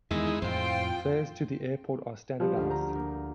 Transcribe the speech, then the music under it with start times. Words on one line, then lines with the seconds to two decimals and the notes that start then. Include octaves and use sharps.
Fares to the airport are standardized.
0.11 E2 D#3 G#3 D#4 E4
0.42 F2 A2 F4 C5 G5
2.40 F3 G3
2.56 D2 F6
2.70 A#5 G6
2.95 A#3